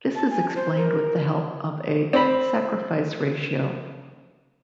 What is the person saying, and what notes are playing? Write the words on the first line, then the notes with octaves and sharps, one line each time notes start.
This is explained with the help of a "sacrifice ratio".
A5
G#5
C5
A#4
C4 B5